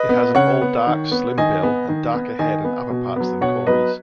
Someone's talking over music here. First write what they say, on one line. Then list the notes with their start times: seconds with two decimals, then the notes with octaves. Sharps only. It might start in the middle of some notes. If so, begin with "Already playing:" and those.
It has an all dark, slim bill, and darker head and upperparts than Cory's.
Already playing: B4 D#5
0.09 B3
0.35 C#3 C#5 F#5
0.61 B3
0.87 D#3
1.12 B3
1.38 D#3 D#5 G#5
1.63 B3
1.88 D#3
2.14 B3
2.39 D#3 D#5 G#5
2.64 B3
2.90 B2
3.16 F#3 B3
3.41 B2 C#5 F#5
3.66 F#3 B3 B4 D#5